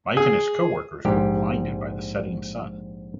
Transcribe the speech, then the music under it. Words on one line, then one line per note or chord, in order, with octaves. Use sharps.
Mike and his coworkers were blinded by the setting sun.
G#4
A#1 G#2 G4